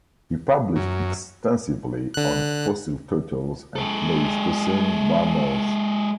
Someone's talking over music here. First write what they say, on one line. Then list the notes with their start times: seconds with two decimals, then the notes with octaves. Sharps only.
He published extensively on fossil turtles and Pleistocene mammals.
0.76 F#2
2.14 D3 F#6
3.76 G#3 A4